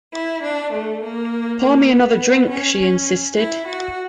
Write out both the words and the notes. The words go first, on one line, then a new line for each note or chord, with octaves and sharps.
"Pour me another drink," she insisted.
E4
D4
A3
A#3
A#3
B3
C#4
C#4
E4
F#4